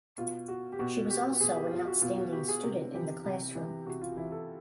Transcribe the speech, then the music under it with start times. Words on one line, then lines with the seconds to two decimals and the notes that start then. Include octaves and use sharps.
She was also an outstanding student in the classroom.
0.18 B2 F4
0.48 F#4
0.72 G4
0.79 B2 F#4
1.10 G4
1.40 B2 G#4
1.56 G4
1.71 F4
1.87 F#4
2.02 B2 F4
2.17 F#4
2.32 G4
2.48 G#4
2.63 C3
2.94 E3 G4
3.24 C3
3.55 E3
3.86 C3 F#4
4.01 F4
4.17 E3 E4
4.32 A4